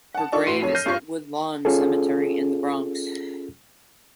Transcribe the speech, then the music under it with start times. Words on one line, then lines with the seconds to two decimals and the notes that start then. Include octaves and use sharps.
Her grave is at Woodlawn Cemetery in the Bronx.
0.15 F#5 A5
0.32 D4 F4 A4 D5 C#6
0.47 A2 F#4 C6 C7 D#7
0.62 F2 F#3 C#5
0.75 F6 G6 A#6 C7 D#7
0.86 G2 F4 C#6 C7
1.65 C#4 F4 G#4 A4